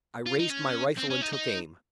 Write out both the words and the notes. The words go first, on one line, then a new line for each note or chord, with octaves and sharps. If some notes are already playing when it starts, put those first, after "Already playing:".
I raised my rifle and took aim.
F4
D#4
C#4
C4
C#4
D#4
D#4